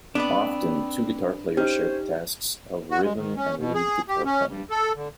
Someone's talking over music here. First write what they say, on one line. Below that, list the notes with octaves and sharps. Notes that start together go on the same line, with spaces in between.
Often, two guitar players share the tasks of rhythm and lead guitar playing.
B3 C4 D4 B4 D5
C#4 D#4 G4 C5
F#4
G#3
D#3
C#4
B2
G#4
G4
C#4
G2
A4
D3